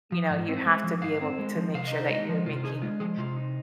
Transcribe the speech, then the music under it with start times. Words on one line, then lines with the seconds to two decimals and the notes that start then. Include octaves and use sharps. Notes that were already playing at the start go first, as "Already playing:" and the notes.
you know, you have to be able to make sure that you're making,
0.12 F3
0.30 G#2
0.49 C4
0.66 G#3
0.84 F3
1.02 G#2 F5
1.21 C4
1.39 G#3
1.56 F3
1.75 C3 F5
1.87 D#4 D#5
1.98 C5
2.10 G#3 D#5
2.29 F3
2.46 C3 F4
2.56 F4
2.64 D#4 G#4
2.82 G#3 F4
3.00 F3 G#4
3.18 C3 F4
3.36 D#4